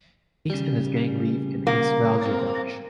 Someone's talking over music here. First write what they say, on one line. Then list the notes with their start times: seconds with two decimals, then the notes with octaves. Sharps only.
Ace and his gang leave and Ace vows revenge.
0.50 C#3 G3
1.67 A#3
2.26 C4